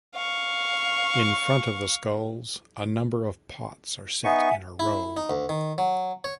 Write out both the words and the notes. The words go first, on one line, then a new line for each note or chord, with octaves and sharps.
In front of the skulls, a number of pots are set in a row.
F5 C#6
B3 D#4 E5 F#5 G#5 C#6
E4
D#4
D2
D#3
F#3
C#5